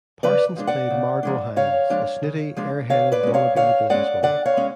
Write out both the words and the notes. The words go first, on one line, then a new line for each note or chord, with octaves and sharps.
Parsons played Margot Hines, a snooty, air-headed wanna-be businesswoman.
C#3 B4 D5
F3 G#3 D4
D5 F#5
C#3
F3 G#3 D4
C#3 C#5 F5
F3 G#3 D4
C#3
F3 G#3 D4
D3 C#5 F5
B4 D5
G#3 C#4
C#5 F5
D3 C#5 F5
G#3 C#4 D5 F#5
D3 D5 F#5
C#5 F5
G#3 C#4